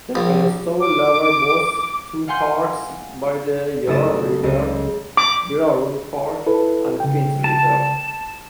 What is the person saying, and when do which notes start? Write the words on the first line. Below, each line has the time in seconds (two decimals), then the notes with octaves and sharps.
Templestowe Lower boasts two parks by the Yarra River, Birrarung Park and Finns Reserve.
0.15 A#1
0.80 D6
2.27 F5 F#5 G#5 C6 G6 C#7
3.87 F#1 A3 E4 D#6 A6 E7
4.43 C#2 D#5
5.17 D6
6.46 E4 A4 B4
7.00 C#3 G5
7.44 A5